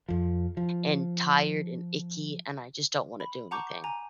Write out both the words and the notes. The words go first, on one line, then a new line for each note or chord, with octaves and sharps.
and tired and icky, and I just don't wanna do anything.
F2 F3
F3
B5
F#5 A5 A#5 C#6 D6 G6
G#5 A#5